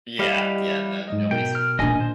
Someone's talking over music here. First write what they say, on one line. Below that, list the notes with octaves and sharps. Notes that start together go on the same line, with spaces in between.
Yeah, yeah, no, nobody speaks
G3 E4 G4 D#5 F5
G#2 F#3 D#5
B2 A#4 G5
F6
A#2 D4 D#5 G#5
C5